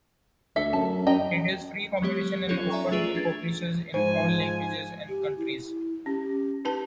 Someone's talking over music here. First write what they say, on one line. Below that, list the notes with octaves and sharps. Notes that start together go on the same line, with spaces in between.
It is free competition and open to publishers in all languages and countries.
D2 A4 E5
F#2 A5
F#2 D#5 G5 A#5
F#3 G#3 B3 G4 C#5
F#3 C#4 D#4 F4 A4 C#5
D5 E5 G#5 A#5 C#6
A3 F4 G#4 B4 C7 D7
D4 F4 G#6 A6
G#2 F3 D#4 C5 G#5
G4
E4
C#4 G4
D#4 B4 A5